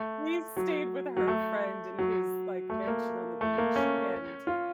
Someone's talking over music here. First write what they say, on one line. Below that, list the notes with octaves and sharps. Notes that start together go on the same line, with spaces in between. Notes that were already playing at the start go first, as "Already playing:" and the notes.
we stayed with her friend in his, like, mansion on the beach, and
Already playing: A3
F#3
F#3
A3
F#3
A3
A#3
A3
A#3
C#4
F4